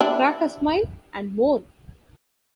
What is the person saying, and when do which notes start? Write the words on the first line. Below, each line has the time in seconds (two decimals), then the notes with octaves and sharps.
Crack a Smile... and More!
0.01 D4 E4 G4